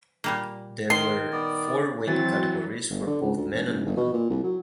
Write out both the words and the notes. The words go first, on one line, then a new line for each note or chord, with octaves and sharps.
There were four weight categories for both men and women.
A#2 G3 A#3
D#3 C6
B3 D5
E3 F#3 C4 F#4 A6
G1
D3
C#2
D2
E1
F#1
G1
B2
A#2
C2
F#3